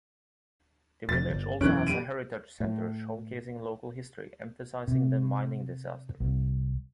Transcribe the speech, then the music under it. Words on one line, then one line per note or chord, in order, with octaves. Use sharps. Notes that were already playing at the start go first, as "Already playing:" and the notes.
The village also has a heritage centre showcasing local history, emphasizing the mining disaster.
F1 A6
G1
E1 F#2 E3 C#4 F#6 D7
G3 D7 D#7
A2
C3
C2